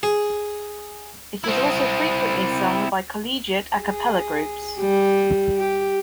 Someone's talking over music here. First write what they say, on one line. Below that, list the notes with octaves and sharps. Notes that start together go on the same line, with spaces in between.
It is also frequently sung by collegiate a cappella groups.
G#4
C4 E4
G#4
G3
G4